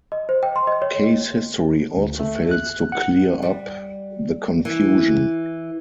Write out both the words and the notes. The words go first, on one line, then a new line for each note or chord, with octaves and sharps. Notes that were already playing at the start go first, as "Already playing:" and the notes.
Case history also fails to clear up the confusion.
D#5
C5
G5
C6
D#5
C#5
D2
A3
F#6
F#5
G3
E3